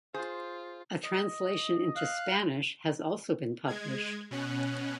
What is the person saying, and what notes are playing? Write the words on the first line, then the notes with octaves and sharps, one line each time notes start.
A translation into Spanish has also been published.
F4 G#4 C5
D#5
F5 F#6
G#3 G#6
B2 C#4 F#6